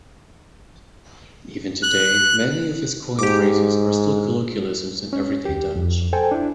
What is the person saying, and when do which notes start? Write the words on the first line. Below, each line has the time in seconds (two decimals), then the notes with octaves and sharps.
Even today many of his coined phrases are still colloquialisms in everyday Dutch.
1.83 F#6
3.19 G#2 G4 D6
5.13 C#4
5.45 D#2 G4
5.76 F2
6.13 A4 C5 G5 G#5
6.32 D4 E4